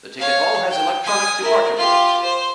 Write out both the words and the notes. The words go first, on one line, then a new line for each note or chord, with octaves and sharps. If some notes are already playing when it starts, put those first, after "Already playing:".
The ticket hall has electronic departure boards.
C#5 F5
G5
G#5 D#6
E4 A#4
F4 G4
C5